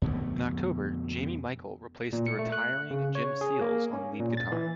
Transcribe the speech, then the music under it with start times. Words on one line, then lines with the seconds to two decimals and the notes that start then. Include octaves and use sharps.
In October, Jamie Michael replaced the retiring Jim Seales on lead guitar.
0.02 F2 B2 D3 A3
2.13 A#2
2.26 C#7
2.39 A3
2.52 F#6
2.91 C#3
3.15 C#5
3.41 G#4
3.61 A#3
3.93 C#4
4.20 A#2
4.37 A6
4.52 E3